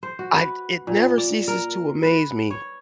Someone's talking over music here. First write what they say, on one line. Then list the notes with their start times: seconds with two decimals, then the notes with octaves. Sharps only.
I it never ceases to amaze me
0.03 C5
0.19 F#4
0.34 B4
0.87 A#2
1.18 D5
1.48 A#4
2.03 B4
2.51 C#5